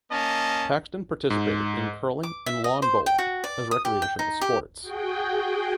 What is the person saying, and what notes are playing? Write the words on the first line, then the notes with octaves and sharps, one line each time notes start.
Paxton participated in curling and lawn bowling as recreational sports.
A#3 C#4 D#5 A5
G#2
D6
E5
D#5
C5
G5
F#4
D5
D#6
G4
G5
D#4
G4
F#4 G#4 G5